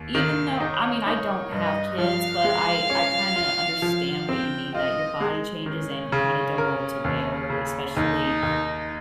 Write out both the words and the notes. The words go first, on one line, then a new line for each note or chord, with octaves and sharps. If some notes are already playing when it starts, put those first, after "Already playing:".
even though, I mean, I don't have kids, but I I kinda understand what you mean that your body changes and you kinda don't know what to wear, especially
Already playing: D#2
D#3 F5
D#4 C#5
D#4
G2 D#5
F3 F5
G#3
C#4
F4
F3
C4 G5
F4 D#5
G#3
D#3 C#4
C#3
A#4
D#2
C#3
D#2 D#4
D#2